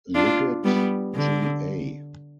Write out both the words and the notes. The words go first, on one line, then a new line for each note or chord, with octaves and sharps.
Liggett, G. A.
D4 F4
G3 B3
D3